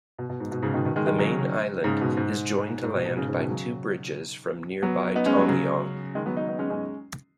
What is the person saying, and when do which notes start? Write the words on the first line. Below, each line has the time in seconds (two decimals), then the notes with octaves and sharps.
The main island is joined to land by two bridges from nearby Tongyeong.
0.19 B2
0.29 B2
0.40 G#2
0.52 B2
0.62 G#2 C#3
0.74 B2 D#3
0.85 B2 D#3
0.96 D#3 G#3
1.07 D#3 G#3
1.19 C#3 F#3
1.84 G#2 C#3
2.01 B2
2.17 G#2
2.83 G#2
2.94 B2
3.06 B2
3.17 G#2 C#3
3.28 G#2 C#3
3.38 B2 D#3
3.50 C#3 F#3
4.82 F#3 B3
5.15 B3 D#4
5.26 G#3 C#4
5.37 F#3 B3
5.48 C#3 F#3
6.15 D#3 G#3
6.26 F#3 B3
6.37 B3 D#4
6.48 B3 D#4
6.59 G#3 C#4
6.70 G#3 C#4